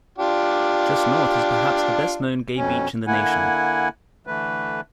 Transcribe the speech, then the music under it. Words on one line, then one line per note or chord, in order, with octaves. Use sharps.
Just north is perhaps the best known gay beach in the nation.
D4 F4 G4
F2 B2 C#4
D3 A#3 E4 F#5 G#5
D3 E3 A3 B4